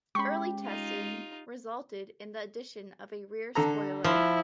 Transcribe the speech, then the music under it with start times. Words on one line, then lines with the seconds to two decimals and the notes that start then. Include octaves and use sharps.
Early testing resulted in the addition of a rear spoiler.
0.15 G#3 C#4 G4 B5 C#6
0.64 D#4 F4
3.55 D3 A4 A#5
4.04 F3 E4